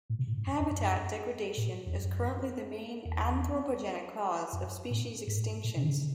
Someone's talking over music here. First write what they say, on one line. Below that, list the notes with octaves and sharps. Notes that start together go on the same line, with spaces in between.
Habitat degradation is currently the main anthropogenic cause of species extinctions.
A2
C3
A2
G#2
F#2
E2
F#2
A2
E2
F#2
E2
F#2
A2
G#2
A2
G#2
A2
C3
D#3
C#3